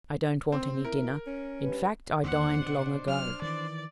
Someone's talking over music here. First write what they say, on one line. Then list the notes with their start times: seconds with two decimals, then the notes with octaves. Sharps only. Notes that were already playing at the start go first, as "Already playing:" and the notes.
I don't want any dinner; in fact, I dined long ago.
0.52 C4
0.85 E4 A#4
1.27 C#4
1.61 G2 G4 B4
2.24 D#2 D4 C5 F#5
2.62 B2
3.08 F#3 F6
3.42 D#3 E3 D5